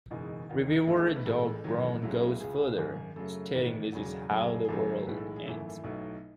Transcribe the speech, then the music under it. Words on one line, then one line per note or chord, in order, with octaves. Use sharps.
Reviewer Doug Brown goes further, stating this is how the world ends.
F#1 E2 B2 G#3 D#4
E1 D#2 D#3
B1 B2 A3 E4
G#4
A4
B4
A1 A2 G#3 A4
A1 G#2 D#3 F#3
C#2 C#3 F#3 A3 E4
C#2 C#3 G#3 G#4
G#1 F#2 D#3
F#2 C#3 F#3 A3 A4
A1 G#2 D#3
E1 E2 C#3 F#3
F#2 C#3 F#3 A3
G#4
G#1 F#2 C#3 F#3 A4
B1 A2 E3 G#3 B4
A4
G#4
G#1 F#2 E3 A3 E4
B1 B2 F#3 A3